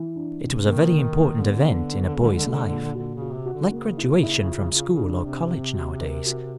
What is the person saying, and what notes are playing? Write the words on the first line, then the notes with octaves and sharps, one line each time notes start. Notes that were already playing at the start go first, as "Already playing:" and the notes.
It was a very important event in a boy's life, like graduation from school or college nowadays.
Already playing: E3
D4
C3
D#3 A#3
A#3
A#3
D3 B3
B3
B3
G#3
A#2
A#2
D3 F#4
C#3
F#4
C3
F#4
D3
C#3 A#3
E4
E4
F4
F4
D4
C3 C4
C4
F#4
A#4
F#4